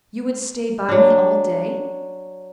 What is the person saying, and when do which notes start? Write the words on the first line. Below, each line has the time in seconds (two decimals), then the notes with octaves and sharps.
"You would stay by me all day?"
0.89 F#3 D4